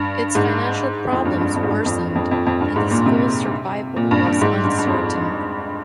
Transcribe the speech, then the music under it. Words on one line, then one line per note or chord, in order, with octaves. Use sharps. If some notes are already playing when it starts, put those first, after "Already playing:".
Its financial problems worsened, and the school's survival was uncertain.
Already playing: G2
G#2
F2
G2
G2
F2
G#2
G2
F2
F2
F2
F2
G2
G#2
A#2
C3
A#2
G2
G2
G#2
G2
G2
F2